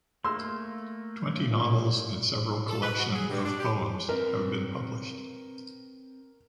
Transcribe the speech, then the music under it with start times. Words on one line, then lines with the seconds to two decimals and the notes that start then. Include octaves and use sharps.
Twenty novels and several collection of poems have been published.
0.24 A3 A#3 C6 E6
1.51 A#2
2.69 A4
2.82 B4
2.99 F#4
3.14 G#4
3.30 G2
3.45 D4
3.59 G4
4.09 C4 A#4 B4